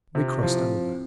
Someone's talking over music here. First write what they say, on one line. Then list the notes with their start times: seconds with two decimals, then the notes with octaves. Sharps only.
We crossed over.
0.15 C3 F4
0.43 F3 E4
0.59 C4